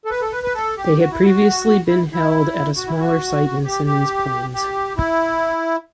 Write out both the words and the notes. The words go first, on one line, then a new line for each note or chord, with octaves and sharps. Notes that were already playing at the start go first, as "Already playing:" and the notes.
They had previously been held at a smaller site in Simmons plains.
A4
B4
A4
B4
B4
A4
G4
F#4
E4
F#4
E4
E4
F#4
E4
F#4
G4
G4
G4
E4